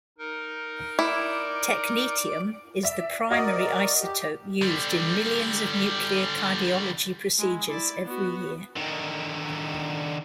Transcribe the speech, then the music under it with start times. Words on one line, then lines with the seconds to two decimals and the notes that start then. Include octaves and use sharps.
Technetium is the primary isotope used in millions of nuclear cardiology procedures every year.
0.18 D#4 A#4
0.99 E4 D5
2.83 D5 E5
3.30 F#4 A#4 D5 D#5 D#6
4.01 G4
4.61 D3 G3
7.38 G#3 E4
7.68 E4 D5
8.04 B3 F#4
8.76 D3 D#3